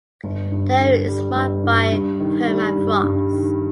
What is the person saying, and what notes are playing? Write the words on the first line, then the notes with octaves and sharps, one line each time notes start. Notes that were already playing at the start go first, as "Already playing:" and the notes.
The area is marked by permafrost.
G1
G2
D3
G3
G1
G2
G2
D#3
G3
G2
G2
D#3